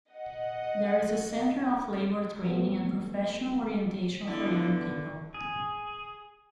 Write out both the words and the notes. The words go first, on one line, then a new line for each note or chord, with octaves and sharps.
There is a center of labor training and professional orientation for young people.
D#5 F#5
F#3 G3 A3 B3 C4
D3 B3 D4 E4 F4
G#4